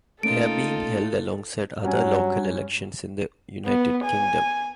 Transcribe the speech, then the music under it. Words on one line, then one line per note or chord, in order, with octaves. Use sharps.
They are being held alongside other local elections in the United Kingdom.
A3 A#3 C#4 D#4 F4 A4 D7
G2 F#3 C#4 G#5
B3
G#5